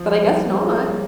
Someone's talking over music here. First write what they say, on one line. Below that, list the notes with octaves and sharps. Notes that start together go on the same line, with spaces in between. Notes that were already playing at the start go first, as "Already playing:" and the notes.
but I guess not.
Already playing: F3
G3
C#4
G#3 C4
G3 A#3